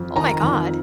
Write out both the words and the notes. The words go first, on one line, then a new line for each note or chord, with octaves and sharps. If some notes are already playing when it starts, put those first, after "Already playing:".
Oh, my god.
Already playing: F2
D#3 A#5
F2